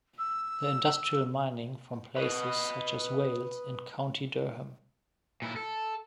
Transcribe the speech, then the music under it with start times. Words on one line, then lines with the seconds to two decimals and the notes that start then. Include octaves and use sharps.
The Industrial mining from places such as Wales and County Durham.
0.18 E6
2.16 B4 D#5
5.42 A#2 E4
5.56 A4